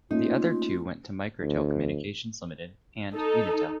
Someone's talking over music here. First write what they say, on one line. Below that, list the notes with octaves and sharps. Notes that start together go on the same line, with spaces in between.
The other two went to Microtel Communications Limited, and Unitel.
A3 A#3 C#4 D#4 F4
D2
D#4 A4